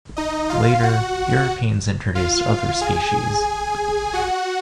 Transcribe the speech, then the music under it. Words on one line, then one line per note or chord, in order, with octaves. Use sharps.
Later, Europeans introduced other species.
D#4 D#5
F4 F5
F#4 F#5
F4 F5
G#4 G#5
F#4 F#5